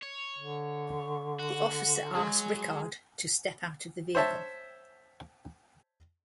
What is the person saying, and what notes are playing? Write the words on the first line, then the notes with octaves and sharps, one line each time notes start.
The officer asked Rickard to step out of the vehicle.
C#5
D3
F#4
F#3 G#3 G#4
C5 C#5 E5 A5